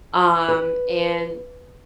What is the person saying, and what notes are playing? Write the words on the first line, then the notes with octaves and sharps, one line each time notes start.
um, and
B4